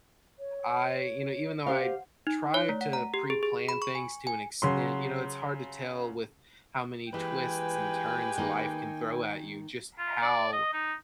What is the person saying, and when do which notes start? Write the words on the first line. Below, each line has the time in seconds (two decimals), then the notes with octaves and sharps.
I you know, even though I try to pre-plan things to an extent, you know, it's hard to tell with how many twists and turns life can throw at you, just how,
0.39 C#5
1.66 G4 C5 F5
1.79 F#5
2.27 D#4
2.54 C#5
2.69 A3
2.81 F#5
2.93 A#5
3.14 G4
3.30 G#4
3.43 G#4
3.69 B5
3.82 C#6
3.95 G#5
4.27 G#5
4.62 C#3 F#3 C6
7.12 E3 G#3 A#3 G4 B4 G5 G#5
8.38 D#3 A#3
9.99 F4
10.22 D5
10.53 D#5
10.73 D#4